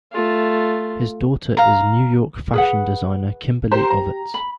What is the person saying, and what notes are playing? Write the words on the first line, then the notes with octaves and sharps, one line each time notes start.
His daughter is New York fashion designer Kimberly Ovitz.
A3 F4
F5 A#5
G#4 B4 F#5
G4 A#4 C5
A#5
B5